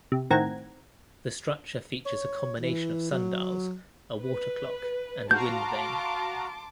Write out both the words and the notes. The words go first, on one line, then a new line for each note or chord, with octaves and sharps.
The structure features a combination of sundials, a water clock, and a wind vane.
C3
A2 D#3 C4 F#5 A#5 G#6
C#5
E3
F#3
B4
F#4 F5 A5 A#5 C6 D6 G6